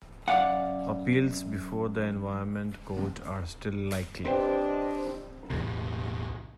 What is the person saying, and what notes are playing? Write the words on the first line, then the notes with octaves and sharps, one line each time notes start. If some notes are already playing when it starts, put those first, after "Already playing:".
Appeals before the Environment Court are still likely.
F#2 E3 D5 F5 F#5
C4 D4 G4 B4 C5 D#5
B1 E2 A2 C3